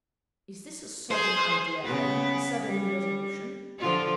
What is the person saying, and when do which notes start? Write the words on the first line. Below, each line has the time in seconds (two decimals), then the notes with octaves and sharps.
"Is this a sudden idea, Adam, a sudden resolution?"
1.11 G#4 C5
1.84 C#3 B3 B4
2.65 G3
3.79 D3 F3 F4